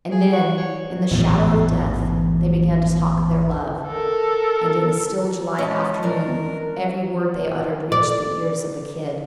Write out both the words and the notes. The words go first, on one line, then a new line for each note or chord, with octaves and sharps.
And then, in the shadow of death, they began to talk of their love; and in the still July afternoon every word they uttered reached the ears of the Kid.
G#4
F#4
C#5
A1 E2 G#2 B2
A4 A#4
G#3 C#4 A5
C#4 D4 A#4
D5